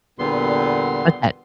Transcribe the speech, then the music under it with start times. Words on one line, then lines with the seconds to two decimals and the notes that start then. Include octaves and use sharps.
What's that?
0.19 E2 A#2 D3 G3 B3 C6